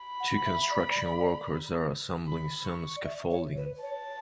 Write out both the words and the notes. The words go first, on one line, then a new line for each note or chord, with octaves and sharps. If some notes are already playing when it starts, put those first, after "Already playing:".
Two construction workers are assembling some scaffolding.
Already playing: B5
F#5
E5
D5
B5
C#6
D5
E5
C#5
B4
C#5 A5